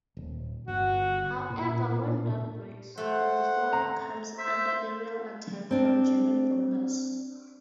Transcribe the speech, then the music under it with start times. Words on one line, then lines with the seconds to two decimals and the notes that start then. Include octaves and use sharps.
However, when dawn breaks, the destroyer comes under aerial attack from German bombers.
0.17 D#1
0.68 G1 F#4
1.50 A#2
2.98 A3 C5 F#5
3.73 A#5
4.38 C5 E5
5.71 C4 D4